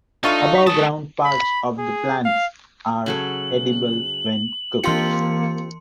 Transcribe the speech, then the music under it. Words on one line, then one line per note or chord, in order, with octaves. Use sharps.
The above-ground parts of the plant are edible when cooked.
D4 D#4 F4 A4 E5 F5 C#6
C#6 B6
G#3 A5 D#6
B5
G#4
F5
C#3 F#3 A4 F#7
E3 A#3 C4 F4 G4 C6 C#7